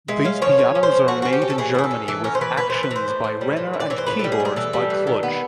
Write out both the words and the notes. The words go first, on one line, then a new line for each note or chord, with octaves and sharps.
These pianos are made in Germany with actions by Renner and keyboards by Kluge.
G#3 E5
C#4 F5
F3 C#5
F3 C#5
C#4
C5
F3
A3 F#4
C#4 F#4
G4
C#4
A4
E3 G#4
E3 G#4
A4
C#4
E3 A4
C#4 A#4
C5
E3 B4
A3 B4
E3 C5
B4
E3 C5
A2
A2
G3
E3
A2
D5
E3 C#5
C5
A2 B4
G3 A4
G#4
A2
G#4
E3 A4
G3
E3
D#3
B3